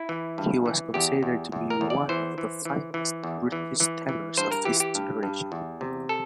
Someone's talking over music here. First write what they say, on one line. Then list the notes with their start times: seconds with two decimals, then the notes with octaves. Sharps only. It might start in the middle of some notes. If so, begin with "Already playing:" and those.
He was considered to be one of the finest British tenors of his generation.
Already playing: E4
0.09 E3
0.38 G2
0.66 E3
0.94 E2 G4
1.23 E2
1.52 E2
1.70 A#4
1.81 E2
1.90 D5
2.09 E3 C5
2.38 E3
2.65 E3
2.94 E3
3.24 E2
3.52 E3
3.80 E3
4.09 E3
4.37 G2 C5
4.52 A#4
4.65 E3 G4
4.80 G4
4.95 G2
5.23 G2
5.52 E2
5.81 C3
6.09 A4